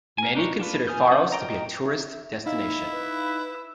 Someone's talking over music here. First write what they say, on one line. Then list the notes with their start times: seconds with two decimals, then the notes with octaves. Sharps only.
Many consider Faros to be a tourist destination.
0.18 A#4 G#5
0.35 D4 D#4 A#4 B4 C#5
0.60 D4 F4 B4
0.87 G#5 D#6 F6 G6
1.11 C#4 B4 F#5 G6
1.32 A#4 D#5 G5 A#5
1.83 E5
2.46 D#4 E4 E5 F5
2.91 B4
3.55 E6